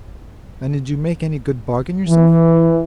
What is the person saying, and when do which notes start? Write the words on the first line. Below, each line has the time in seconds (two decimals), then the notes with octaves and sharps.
'And did you make any good bargain yourself?'
2.08 E3